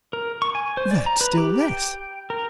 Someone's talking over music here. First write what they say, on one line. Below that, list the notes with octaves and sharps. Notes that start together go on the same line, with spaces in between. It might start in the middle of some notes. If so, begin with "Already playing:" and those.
"That still less."
A#4
C#6
G#5
C5
D5
A#5
B4
G4
G5
A#4